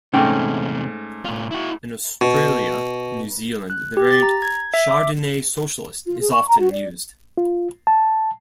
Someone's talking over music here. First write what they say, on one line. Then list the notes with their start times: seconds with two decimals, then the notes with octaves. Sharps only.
In Australia and New Zealand, the variant "Chardonnay socialist" is often used.
0.13 E2 G#2 C3 A3 C#4 G5
1.25 A2 F4
1.51 E4 F#4
2.21 B2
3.70 F#6
3.97 G4
4.11 A6
4.23 A#5
4.42 G#6
4.74 E5
4.91 D6
6.06 F4
6.20 G#4
6.32 C#6
6.47 A#5
6.59 F#4
6.72 D5
7.38 F4
7.87 A5